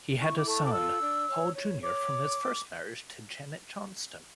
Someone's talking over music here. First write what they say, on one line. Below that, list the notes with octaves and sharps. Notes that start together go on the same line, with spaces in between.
He had a son, Paul Junior from his first marriage to Janet Johnston.
E4 C#6
D6
A4 C#6
D6
F4 E6
D4
C#5
C#5
C#5 D6